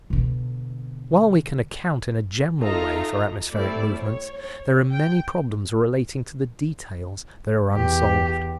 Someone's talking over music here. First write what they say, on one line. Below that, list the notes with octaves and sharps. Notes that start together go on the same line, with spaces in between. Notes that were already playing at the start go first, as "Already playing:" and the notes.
While we can account in a general way for atmospheric movements, there are many problems relating to the details that are unsolved.
B2 D3
D#4 F4 A4 D#5 E5 A#5
G3 A3 C4 E4 D5
C#5
G5
E2 G4